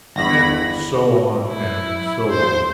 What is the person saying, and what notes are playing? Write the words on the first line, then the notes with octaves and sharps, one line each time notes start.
And so on, and so on.
G1 E2 B5 A#6
E4
C5